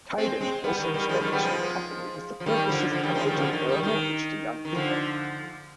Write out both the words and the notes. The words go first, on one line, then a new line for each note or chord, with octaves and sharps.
Caidin also established a company with the purpose of promoting aeronautics to young people.
G#3 C4
G#3 C4
G3 B3
D#3
D#3 G3
F3 G#3
D#3 G3
G3 B3
F3 G#3
F3
D#3 G3
D3 F3
D3 F3
D#3 G3
F3 G#3
D#3 G3
D3 F3
D#3
D#3 G3
D#3
D#3
D3 F3